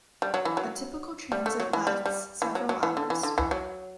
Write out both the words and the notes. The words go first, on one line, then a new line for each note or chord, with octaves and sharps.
A typical transit lasts several hours.
G3
F#3
E3
F#3
G3
A3
F#3
E3
G3
G3
E3
F#3
F#3
E3
D3
E3
D3
E3
F#3